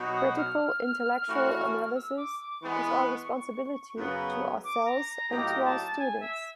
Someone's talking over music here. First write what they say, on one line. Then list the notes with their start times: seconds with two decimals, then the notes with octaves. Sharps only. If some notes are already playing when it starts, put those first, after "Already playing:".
Critical intellectual analysis is our responsibility-to ourselves and to our students.
Already playing: B2 F#3 B3 D#4 F#4
0.15 D#6
0.38 F6
1.27 E3 A3 C#4 F#4
1.95 E6
2.17 D6
2.39 D6
2.61 E3 G#3 B3 C#6
3.96 F#2 C#3 F#3 B3
4.64 D6
4.85 A#5
5.09 A#5
5.30 A2 F#3 A#3 D#4 G4 A#5
5.65 A5
5.99 G#5
6.20 E5